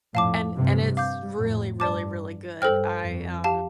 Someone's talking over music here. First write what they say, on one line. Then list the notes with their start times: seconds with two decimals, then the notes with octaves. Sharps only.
and and it's really, really, really good. I am
0.14 F2 A2 F5 A5 D6
0.56 G2 C3
0.97 F5 D6 G6
1.38 F2 A2
1.79 G2 D5 A5 D6
2.61 G2 A4 C5 G5 F6
3.02 F2
3.44 G4 F5 A5